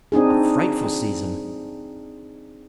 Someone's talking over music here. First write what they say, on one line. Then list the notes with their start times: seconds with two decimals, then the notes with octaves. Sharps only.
A frightful season!
0.12 C4 D4 D#4 G#4